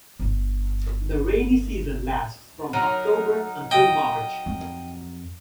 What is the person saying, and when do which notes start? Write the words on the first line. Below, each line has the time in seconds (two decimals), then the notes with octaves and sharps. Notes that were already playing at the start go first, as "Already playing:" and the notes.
The rainy season lasts from October until March.
0.19 G1 G2
2.73 F#3 D#4 A#4
3.71 D#5 G5
4.46 F2